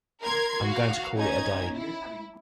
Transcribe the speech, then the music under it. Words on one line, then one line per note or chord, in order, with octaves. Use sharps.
I'm going to call it a day.
A#4 C6 G#6
F#4 F5
C#4 D#4 G#6
E4